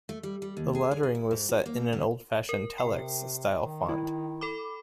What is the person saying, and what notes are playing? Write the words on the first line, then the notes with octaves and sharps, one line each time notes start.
The lettering was set in an old fashioned telex-style font.
A3
G3
G3
D#2
G#4
G#4
G#4
E4
G#2
F#4
A#3
D3
A#4
C3 G5
D#3
E4
A4 B5 D6